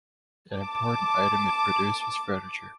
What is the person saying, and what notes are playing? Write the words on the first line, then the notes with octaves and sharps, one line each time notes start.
An important item it produced was furniture.
A5 D6